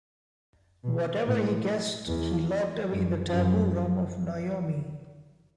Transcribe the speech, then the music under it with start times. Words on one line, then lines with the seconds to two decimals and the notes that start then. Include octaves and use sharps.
Whatever he guessed he locked away in the taboo room of Naomi.
0.84 B2
1.25 A2
2.08 E2
2.91 F#2
3.32 F#2